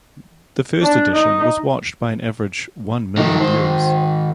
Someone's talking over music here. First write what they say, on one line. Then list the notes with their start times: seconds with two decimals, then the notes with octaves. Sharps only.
The first edition was watched by an average one million viewers.
0.82 D4
1.15 D#4
3.17 D#3 F3 G#3 D#4
3.40 C5